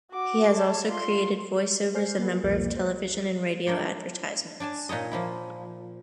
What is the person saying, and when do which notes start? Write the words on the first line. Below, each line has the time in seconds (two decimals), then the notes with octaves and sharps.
He has also created voice-overs a number of television and radio advertisements.
0.11 F#4 D6
0.55 C#5 A5
0.88 F4 C6
1.94 C5 D5 G#5 F6 G6 C7
2.19 A#3 F#4 B4
2.44 C2 F2 B2 F3 A#3
2.77 C5 E5
3.67 D4 A#4 C#5 D5
4.60 D4 D5 G#5 A5
4.89 A#2 D#4 C#5 D#5
5.11 F3 A#3 E4